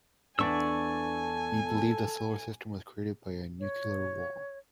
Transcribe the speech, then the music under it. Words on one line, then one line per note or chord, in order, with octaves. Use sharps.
He believed that the solar system was created by a nuclear war.
E2 B3 D4 A4 D5 G#5 C#6 E6
C#5